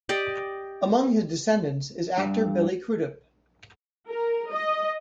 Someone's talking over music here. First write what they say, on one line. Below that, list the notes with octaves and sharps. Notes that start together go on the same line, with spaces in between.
Among his descendants is actor Billy Crudup.
G4 D5 D#5
G2
A#4
D#5